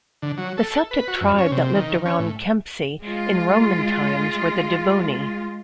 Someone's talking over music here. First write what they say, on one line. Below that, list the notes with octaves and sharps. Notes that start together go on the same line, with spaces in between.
The Celtic tribe that lived around Kempsey in Roman times were the Dobunni.
D3
F#3
A4
B4
F#4
F#2
C#4
C3
D#3
C#4
A2
G#3 F4